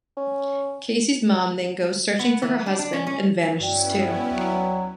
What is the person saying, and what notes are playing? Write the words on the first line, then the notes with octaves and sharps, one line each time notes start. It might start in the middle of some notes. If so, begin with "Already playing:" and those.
Casey's mom then goes searching for her husband and vanishes, too.
C#4
B3
E3
D4
D4
C#4
C#4
G2 B3 C#4 E4 F#4 D5 G5
D#2 F#3